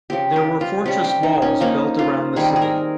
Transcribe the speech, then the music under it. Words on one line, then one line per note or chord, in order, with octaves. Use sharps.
There were fortress walls built around the city.
C#3 F3 C4 G4
G4
F4
C3 G3 C#4 G4
G4
D#4
C#4
F3 A#3 C#4 D#4
F4
D#3 G3 C4 G#4
G#4
A#4